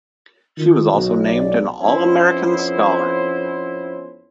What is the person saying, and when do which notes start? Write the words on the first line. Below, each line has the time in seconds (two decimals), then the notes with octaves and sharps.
She was also named an All American Scholar.
0.58 D#3 F4
0.93 B1 F#4
1.25 D5
1.82 F2 B3 C#4 E4 C5